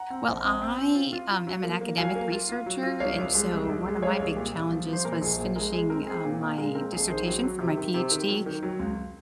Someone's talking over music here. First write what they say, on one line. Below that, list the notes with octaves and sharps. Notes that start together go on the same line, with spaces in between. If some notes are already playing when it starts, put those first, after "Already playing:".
Well, I, um, am an academic researcher, and so one of my big challenges was finishing, uh, my dissertation for my PhD.
Already playing: F#5 A#5
C4
A#1
C4
C4
C4
F4
F4
F4
F#3
A#3
A#3
F#3 F5 G#5
A#3
F4
F4
F#3
F4
C2 C#5 F5
C2
G#3
C2
C2
G#3
G#3 C#5 F5
C2
A#2
C2
F3
F3
C5
A#2 A#4
A#1 G#4
A#2 G#4
G#3 A#4
G#3 G#4
C4 A#4
C4 G#4
A#2
A#2
G#3 A#4
C4 A#4
A#1 G#4
D#3 G#4 C5
F#3
F#3
C3
D#3
C3
D#3
F#3
D#3
F#3
C#2